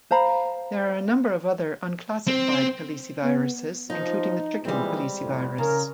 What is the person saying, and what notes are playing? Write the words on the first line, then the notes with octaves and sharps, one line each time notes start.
There are a number of other unclassified caliciviruses including the chicken calicivirus.
C5 F5 A#5 B5
C4
B3
F3 D#4
A#2 E3 G3 G#3 C4
F2 A2
C#3 A#4